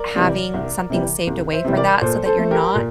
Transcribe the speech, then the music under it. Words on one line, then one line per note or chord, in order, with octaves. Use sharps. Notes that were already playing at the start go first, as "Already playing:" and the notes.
having something saved away for that so that you're not
Already playing: A#4 D5
C3 E3 G3
C2
C3 E3 G3
C2
C5 E5
C3 E3 G3
A#4 D5
A#2 A4 C5
A4 C5
A3
G4 A#4
A#2